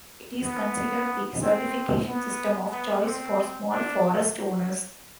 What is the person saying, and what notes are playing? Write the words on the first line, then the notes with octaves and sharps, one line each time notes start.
It is considered the certification system of choice for small forest owners.
B3
C4
B3
B3
C4
D4